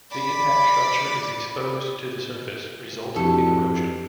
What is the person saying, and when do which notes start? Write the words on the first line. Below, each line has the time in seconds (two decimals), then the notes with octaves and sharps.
The impact structure is exposed to the surface, resulting in erosion.
0.11 D5 B5
3.16 F2 D4 E4 F#4 G4 A4